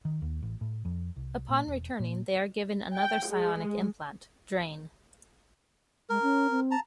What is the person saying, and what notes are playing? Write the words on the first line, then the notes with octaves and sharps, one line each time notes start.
Upon returning, they are given another psionic implant, drain.
D#3
D#2
A1
A2
F2
C2
A#2
E1
A#2
G5
G#3
G#3 A#4
C#4
C4
A5 A#5